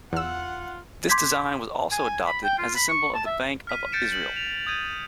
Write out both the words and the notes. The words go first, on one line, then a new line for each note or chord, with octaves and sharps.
This design was also adopted as the symbol of the Bank of Israel.
E2 F4 F#5 E6
C6 D6 G6 G#6 B6
G#5
B5
G5
F4
B5
C#6
A5
E5
F6 B6 D#7
G6 A6 C#7 D7 E7
F#7
F7
D#6 G6 G#6 D#7